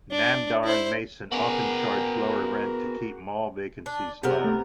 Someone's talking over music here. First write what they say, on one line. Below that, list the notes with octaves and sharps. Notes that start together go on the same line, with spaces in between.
Namdar and Mason often charge lower rent to keep mall vacancies low.
D4
E4 C5
B3 F#4 G#4 A#4
D4
C3 B3 G4 G#4 A#4 C5
A3